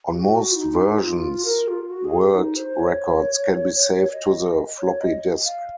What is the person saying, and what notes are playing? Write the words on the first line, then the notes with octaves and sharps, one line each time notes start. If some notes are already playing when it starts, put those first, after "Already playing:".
On most versions, world records can be saved to the floppy disk.
G#4
F#4
D#4
F4
A#4
F4
F#4
G#4
D#4
C5
C#5
D#5
C#5
D#5
F5